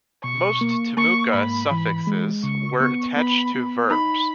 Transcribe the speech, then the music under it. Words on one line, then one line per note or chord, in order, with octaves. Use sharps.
Most Timucua suffixes were attached to verbs.
B2 C#6
A#3
A#3 C#6
G#2 B5
E3
G#3
C#3 C#6
B3 C#6
B3 B5
B3
D#4 B5